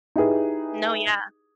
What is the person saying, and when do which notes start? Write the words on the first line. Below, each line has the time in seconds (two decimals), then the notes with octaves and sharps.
No, yeah.
0.16 D#4 E4 G4 G#4 B4